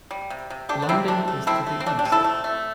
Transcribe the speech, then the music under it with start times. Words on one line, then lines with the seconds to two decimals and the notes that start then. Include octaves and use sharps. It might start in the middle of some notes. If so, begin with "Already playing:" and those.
London is to the east.
0.11 G3
0.30 C3
0.50 C3
0.69 A3 D4 G4
0.82 D4
0.89 C3 C4 E4
1.08 A3 D4
1.28 A3
1.47 A3 C4 E4
1.66 A3
1.80 C4
1.86 A3 D4
1.99 D4 G4
2.05 C3
2.12 E4 A4
2.24 A3
2.44 A3